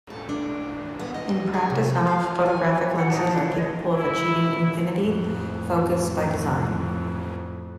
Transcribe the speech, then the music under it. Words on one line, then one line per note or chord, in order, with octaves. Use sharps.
In practice, not all photographic lenses are capable of achieving infinity focus by design.
A4
D4
B3
D#5
G#4
C3
F5
G#5
F#5
A#2 F#3 D#4 C#5 A5
D4 E4
C#5 D#5
E4
F2 A2